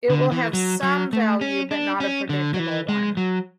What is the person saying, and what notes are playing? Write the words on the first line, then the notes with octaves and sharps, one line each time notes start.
It will have "some" value, but not a predictable one.
D3
E3
F#3
F#3
A3
C#4
D4
C#4
D3
F#3
E3
G#3
F#3